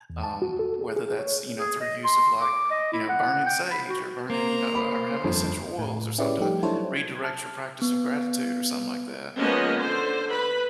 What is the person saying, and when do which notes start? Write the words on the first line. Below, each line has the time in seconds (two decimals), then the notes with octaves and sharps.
um, whether that's, you know, through use of, like, you know, burning sage or burning you know or having essential oils or something to redirect your practice of gratitude or something like that.
0.10 E2
0.24 A5
0.42 F#4
0.59 A4
0.81 G#4
0.96 G#4
1.19 C#5
1.58 G#4
1.80 D#5
2.04 C6
2.41 D6
2.70 D#5
2.93 E4
3.09 F#5
3.46 G5
3.71 B5
3.89 F#4
4.30 A#3 C5 A#5
4.75 C5 B5
5.23 G1 F2 F3
5.79 A2
6.18 C#4 E4 G4 G#4 B4 D5
6.38 F3 G3 A3 D#4 G4
6.63 F#3 D4 E4 A4 C5 C#5
6.96 G#6
7.23 A5 F6
7.82 B3
9.37 F3 G#3 A#3 B3 C#4 D#5
9.79 D3 C5
10.30 B4 B5